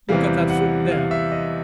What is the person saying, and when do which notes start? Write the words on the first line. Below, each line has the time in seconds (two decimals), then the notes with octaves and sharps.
Look at that foot there.
0.09 E2 C3 E3 G3 F5
0.50 F#5
0.91 F5
1.11 E5
1.32 D#5